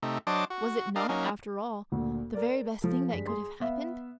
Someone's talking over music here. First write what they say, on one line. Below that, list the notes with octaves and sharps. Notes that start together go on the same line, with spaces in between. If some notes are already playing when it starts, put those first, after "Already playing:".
Was it not, after all, the very best thing that could have happened?
C3 A3 D#4
F#3 D4 C5 D#5 A5 D6
F#4
D4 A#4 D#5 F5
F#3 A#3 C#4 D#4
D2 A#2
A#4 D5
F3 A4
G2 G#3 B6
G#4 C6
B3 E5 F5